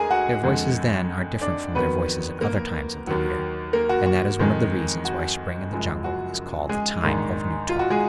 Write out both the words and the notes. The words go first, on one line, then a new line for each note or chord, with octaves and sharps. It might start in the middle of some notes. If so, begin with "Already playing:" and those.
Their voices then are different from their voices at other times of the year, and that is one of the reasons why spring in the Jungle is called the Time of New Talk.
Already playing: D2 G#3 G#4 A#4 G#5 A#5
F#4 F#5
F2 D3 G#3
D4 D5
F2 D#3 F#3 B3 B4
A#3 A#4
D#2 D#3 F#3
A#3 A#4
F#4
F#4
F2 D#3 G#3
F#4
F#1 F#2 F3 G#3
F#4
G#3 G#4
A#1 G#2 D#3
F4
F#4
G#3 G#4